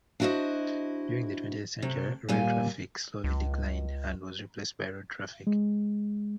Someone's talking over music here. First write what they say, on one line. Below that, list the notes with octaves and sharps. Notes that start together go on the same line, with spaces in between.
During the twentieth century, rail traffic slowly declined and was replaced by road traffic.
D4 E4 F#4 B4 C5 D#5
C3 A3
D#2 A#2 G3 G#5
C#2
G#3